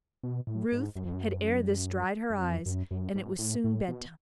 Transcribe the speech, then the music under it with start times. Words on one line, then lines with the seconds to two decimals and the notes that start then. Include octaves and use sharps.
Ruth had ere this dried her eyes and it was soon bedtime.
0.23 B2
0.47 A2
0.72 G#2
0.96 F#2
1.05 F2
1.13 F#2
2.30 F#2
2.42 F2
2.66 F#2
2.91 F#2
3.15 G#2
3.39 A2
3.64 A2
3.88 B2